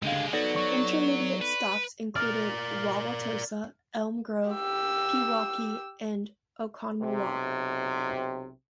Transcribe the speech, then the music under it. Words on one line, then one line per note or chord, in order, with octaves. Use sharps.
Intermediate stops included Wauwatosa, Elm Grove, Pewaukee, and Oconomowoc.
C#2 D3 G#3 G4 F5
F#3 B3 D#4 F#4 A4 D5 A#6
F#3 D5 C#6
B4
A#4 D5 F6
G4 E6
B1 C3